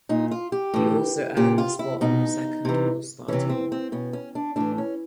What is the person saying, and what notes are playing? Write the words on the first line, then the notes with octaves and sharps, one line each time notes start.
He also earned a spot on the Second All-Star Team.
A#2 D#4
F4
G4
A2 E3
A#2 G4
F4
E4
B2 D#4
C3 E3
C3 E3 C#4
C4
C4
B2 C#4
C#4
D4
A2 E3 D4
C#4